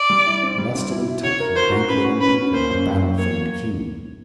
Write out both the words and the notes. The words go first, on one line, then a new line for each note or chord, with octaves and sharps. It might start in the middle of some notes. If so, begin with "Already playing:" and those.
Lustily took he banquet and beaker, battle-famed king.
Already playing: D5
G3
E4
C4
G3
C4
E4
E4
F#4 C#5
A#4
A#4 C5
F#4
C#4 B4
F#4
C#4 B4
C#4
A#3 C5
F#2
F#2
F#3
A#3 C#5